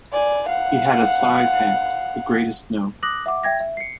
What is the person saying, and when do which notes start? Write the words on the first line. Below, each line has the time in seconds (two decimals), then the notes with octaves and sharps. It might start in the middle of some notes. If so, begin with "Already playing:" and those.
He had a size hand, the greatest known.
0.12 D5 G#5
0.49 F5 F#5
3.03 D6 D#6 F#6 A#6 F#7
3.26 E5 F#5 D6
3.43 E5 G5 G#6 A#6
3.60 E5
3.77 C7 C#7